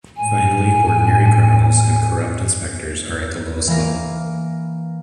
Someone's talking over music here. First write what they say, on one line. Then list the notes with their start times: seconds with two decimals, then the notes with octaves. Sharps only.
Finally ordinary criminals and corrupt inspectors are at the lowest level.
0.17 A2 G#5
3.68 E3 A#3 A#4